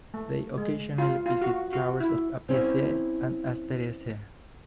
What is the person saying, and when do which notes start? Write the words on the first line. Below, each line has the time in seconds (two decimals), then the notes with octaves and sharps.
They occasionally visit flowers of Apiaceae and Asteraceae.
0.14 A3
0.58 G#3
0.98 F4
1.26 F4
1.42 F#4
1.73 F#4
2.00 E4
2.49 C4 C#4 E4